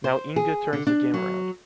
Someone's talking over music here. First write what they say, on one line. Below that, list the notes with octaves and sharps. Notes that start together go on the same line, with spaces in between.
Now Inge turns the game around.
C5
G#4
D3
D4
F#3